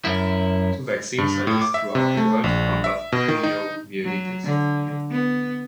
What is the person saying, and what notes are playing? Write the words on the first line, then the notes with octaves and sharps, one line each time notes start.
Two vaccines are used throughout the world to combat poliomyelitis.
F#2 E4
G2
A2
D6
E5
C3
A3
A#1
E5
B2
D#3
D#4
F#3
D3
B3